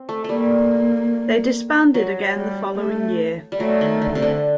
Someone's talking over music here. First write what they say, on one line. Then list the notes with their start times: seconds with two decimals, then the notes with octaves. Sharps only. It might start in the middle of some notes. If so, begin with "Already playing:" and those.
They disbanded again the following year.
Already playing: C4
0.09 A3
0.24 G3 A3 A#3
1.94 F#3
2.36 G3
2.77 A3
3.52 G3
3.60 F#3 A3
3.81 D#3
4.02 D3
4.15 C3
4.22 D3